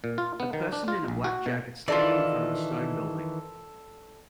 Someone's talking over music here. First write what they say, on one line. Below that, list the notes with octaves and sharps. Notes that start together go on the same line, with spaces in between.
A person in a black jacket standing in front of a stone building.
A#2
F4
B3
D#3
D4
F4
A#1
F#4
B2
D#3 E3 F4 A4 D5